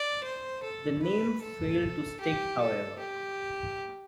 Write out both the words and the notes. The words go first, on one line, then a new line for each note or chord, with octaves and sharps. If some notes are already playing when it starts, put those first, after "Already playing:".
The name failed to stick, however.
Already playing: D5
C5
A4
B4
A4
G4
A4
G4